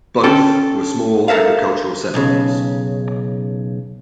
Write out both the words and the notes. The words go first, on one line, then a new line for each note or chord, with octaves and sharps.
Both were small agricultural settlements.
C#4 A4 G5
A4 A#4 E5 F5
B1 C#3